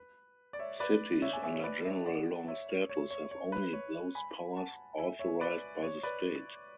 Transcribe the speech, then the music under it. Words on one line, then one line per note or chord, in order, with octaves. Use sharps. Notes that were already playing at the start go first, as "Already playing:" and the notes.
Cities under general law status have only those powers authorized by the State.
Already playing: B4
D5
C#5 E5
B4 D5
C#5 E5
E5 G#5
E5 G#5
C#5
B4 D5
C#5 E5
D5 F#5
C#5 E5
C#5
C#5
C#5
C#5
B4
C#5
G#5 B5
F#5 A5
E5 G#5
C#5 E5
B4 D5
C#5
B4 D5